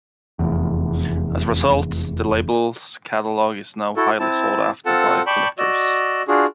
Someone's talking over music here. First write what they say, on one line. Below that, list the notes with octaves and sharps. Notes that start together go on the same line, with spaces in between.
As a result, the label's catalog is now highly sought after by collectors.
F1 E2
E4 F#4 A4
C4 E4 A5
C4 F4 A4 F#5 A5
D5 G5 A5 B5 C#6
F#4 D5 D#5 E6
D4 F4 F#4 G#4